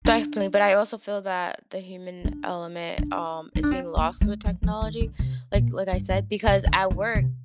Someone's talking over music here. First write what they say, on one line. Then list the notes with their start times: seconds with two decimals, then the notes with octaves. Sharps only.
Definitely, but I also feel that the human element, um, is being lost with technology, like like I said, because at work
0.05 D4
2.25 D4
2.98 D4
3.55 D#4
3.63 D4
3.71 C4
3.97 A#3
4.21 G#3
4.46 F3
4.63 F3
4.82 D#3
5.01 D3
5.19 C3
5.55 A#2
5.93 G2
6.10 G#2
6.47 C3
6.66 D3
6.91 D#3
7.15 C3